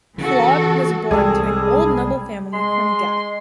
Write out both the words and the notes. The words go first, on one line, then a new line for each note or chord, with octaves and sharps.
Flotte was born to an old noble family from Gap.
C#3 E3 F#4 A4
C2 G3 G#3 G#4 A4
G#3 C6